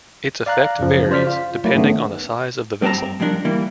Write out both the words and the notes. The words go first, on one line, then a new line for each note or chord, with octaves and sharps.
Its effect varies, depending on the size of the vessel.
D5 F5 A#5 F#6
F#2 C#3 F3
C#3 C5 D5 F6 B6
F4
F#3 A3 A#3 E4
G#2 D#3 A3 B3 C#4 D4
G2 C4 G4 A5 A#5
G#2 F3 G3 D4 A#4
E3 G3 A#3 E4